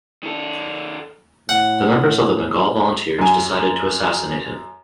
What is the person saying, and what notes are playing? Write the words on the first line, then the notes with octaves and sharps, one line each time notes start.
The members of the Bengal volunteers decided to assassinate him.
D#3 A4
A2 F#5
F#2 G#5